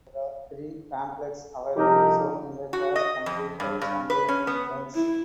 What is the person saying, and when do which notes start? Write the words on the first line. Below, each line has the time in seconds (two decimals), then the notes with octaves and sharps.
There are free pamphlets available showing the cross country trails and lengths.
1.76 C2 F3 D#4 G4 A4 A#4
2.73 F#4
2.96 D#5
3.26 F2
3.60 G2
3.81 G2
4.10 B4
4.28 C#4
4.47 B3
4.95 E4